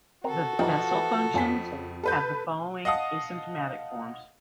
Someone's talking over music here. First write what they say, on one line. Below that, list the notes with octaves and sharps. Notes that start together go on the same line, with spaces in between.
The Bessel functions have the following asymptotic forms.
C4 F#4 A4 A#4 C5
E3 F3 D#4 G4
E3 B3
F2 C#4 F4 B6
C#3
A4 B4 G6
D#5 F5 F#5 A5 D#6